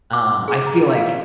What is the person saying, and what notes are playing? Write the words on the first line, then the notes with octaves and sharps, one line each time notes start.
Um, I feel like,
D6
G#4
A#5
F5